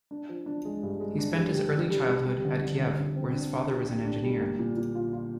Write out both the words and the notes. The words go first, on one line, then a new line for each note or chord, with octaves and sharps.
He spent his early childhood at Kiev, where his father was an engineer.
D4
F3
D4
G#3
G2
G#3
D4
G3
G4
D4
G3
G3
G3
D3
D3
D3
D3
C4
D4
D4
G4
G4
D4
G3
A#3
A#2
A#2
F4
F4